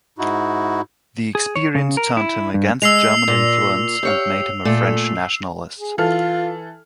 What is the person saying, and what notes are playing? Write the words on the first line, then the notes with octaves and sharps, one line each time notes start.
The experience turned him against German influence and made him a French nationalist.
G#2 D#4 E4 F#4
G#4
C#5
C#3
A#4
E4
G2
G#3 E6 C7 F7
A#2
G4 C#5 F5
A#2 A3 A4
G#4
E3 F4 A4 F6